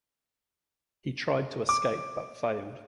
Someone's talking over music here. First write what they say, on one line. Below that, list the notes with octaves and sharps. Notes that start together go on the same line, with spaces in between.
He tried to escape but failed.
D6